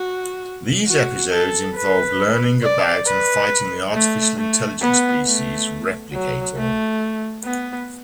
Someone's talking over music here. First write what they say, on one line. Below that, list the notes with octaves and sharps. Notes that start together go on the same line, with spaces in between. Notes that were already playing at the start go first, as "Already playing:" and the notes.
These episodes involved learning about and fighting the artificial intelligence species Replicator.
Already playing: F#4
F#4
A4
B4
D5
B4
A3
A3
B3
A3
F#3
A3
B3